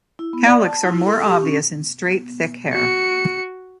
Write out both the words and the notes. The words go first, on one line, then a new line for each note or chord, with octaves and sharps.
Cowlicks are more obvious in straight, thick hair.
E4
B3
D5
A5
E4
A4
G4
C#4
F#4 C#7